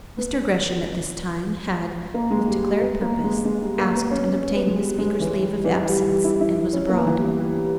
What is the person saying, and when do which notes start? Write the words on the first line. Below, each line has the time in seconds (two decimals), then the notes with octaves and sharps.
Mr. Gresham at this time had, with declared purpose, asked and obtained the Speaker's leave of absence and was abroad.
0.17 B3
2.14 A#3
2.31 G#3
2.47 G3
2.64 G3
2.80 B3
3.01 A#3
3.23 G#3
3.45 G#3
3.61 G3
3.78 A#3
3.94 B3
4.11 C#4
4.33 C#4
4.54 B3
4.67 G#3
4.76 G3
4.98 G#3
5.20 E3
5.42 G3
5.64 E3
5.86 G3
6.08 G3
6.24 E4
6.41 E4
6.73 C#4
6.89 A#3
6.95 B3
7.06 E3
7.17 G3
7.39 G3
7.55 G3